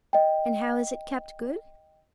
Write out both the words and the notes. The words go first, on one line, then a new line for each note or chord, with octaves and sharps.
And how is it kept good?
D#5 G5